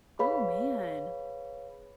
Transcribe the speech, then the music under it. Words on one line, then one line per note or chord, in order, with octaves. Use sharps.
Oh, man.
G#4 B4 C#5 F5 B5